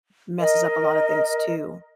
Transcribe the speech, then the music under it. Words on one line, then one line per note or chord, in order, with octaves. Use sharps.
messes up a lotta things, too.
A#4 D#5